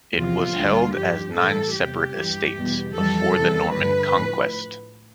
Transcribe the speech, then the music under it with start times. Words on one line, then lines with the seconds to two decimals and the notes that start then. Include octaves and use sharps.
It was held as nine separate estates before the Norman Conquest.
0.16 E2 C3 F3 F4
0.56 D2 D3 G3
0.95 G2 F3 G4
1.35 A2 E3 G3 A4
1.75 E2 C3 G3 G4
2.15 G2 E3 G3
2.55 E2 B2 G3
2.94 F2 E3 G3 A4
3.34 E2 C3 E3 G3
3.73 G2 D3 F3 B4
4.14 A2 F3